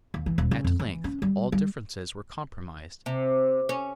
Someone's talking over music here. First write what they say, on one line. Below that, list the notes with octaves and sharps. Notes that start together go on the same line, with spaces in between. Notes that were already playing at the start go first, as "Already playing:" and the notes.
At length all differences were compromised.
D#2
E3
D#1
C#3
F2
E3
C#4
G3
G3
C3
C#4